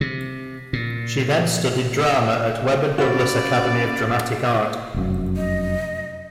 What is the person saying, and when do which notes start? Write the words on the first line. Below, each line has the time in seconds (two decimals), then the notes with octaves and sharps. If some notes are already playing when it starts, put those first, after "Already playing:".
She then studied drama at Webber Douglas Academy of Dramatic Art.
0.01 C3
0.73 A#2
2.98 C#4 F#4 C#5 D5 E5 F5 B5
4.94 F1 F#2
5.37 D#5